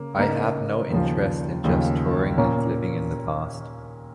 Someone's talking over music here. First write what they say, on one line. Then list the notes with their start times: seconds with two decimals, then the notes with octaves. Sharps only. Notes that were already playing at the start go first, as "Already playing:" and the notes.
I have no interest in just touring, and living in the past.
Already playing: C#3 A#3
0.17 C#3 A#3 D#4
0.90 D#2 C#3 F3
1.64 D#2 C#3 F3
2.37 A#2 A#3 C#4